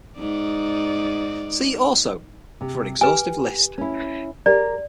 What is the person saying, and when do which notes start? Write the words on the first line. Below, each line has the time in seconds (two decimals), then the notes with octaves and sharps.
See also: for an exhaustive list.
0.19 G#2 D#4 D5
2.61 C3
3.01 G4 B4 G#5
3.78 C#4 E4
4.46 G4 A#4 D5